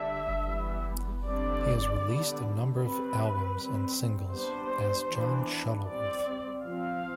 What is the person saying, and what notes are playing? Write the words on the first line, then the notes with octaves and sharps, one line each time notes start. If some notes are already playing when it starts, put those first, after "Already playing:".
He has released a number of albums and singles as John Shuttleworth.
Already playing: D3 G3 D4 E5
E3 G3 B3
D3 G3 C4 D5
D3 G3 B3
G3 C4 B4
G3 C4
G3 B3 D4 C5
E3 B3 D4
G3 C4 D5
F3 C4 F5